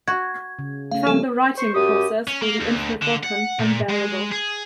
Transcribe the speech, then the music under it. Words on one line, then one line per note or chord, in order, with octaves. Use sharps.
He found the writing process for "The Infinite Vulcan" "unbearable".
F#4 G#6
C#3
A3 C#4 F5
F3 G3 A#3 A4
C5 C#6
F#2 G4 D#6
C#4
A#3
D2
D3
F#5
A#2
G#3
G#4